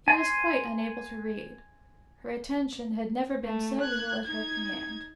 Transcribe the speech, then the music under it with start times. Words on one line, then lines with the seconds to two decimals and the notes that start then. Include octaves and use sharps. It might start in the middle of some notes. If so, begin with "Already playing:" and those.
She was quite unable to read; her attention had never been so little at her command.
0.08 G#5 C6
3.45 A3
3.81 F#6 G#6
4.24 D#4 G#6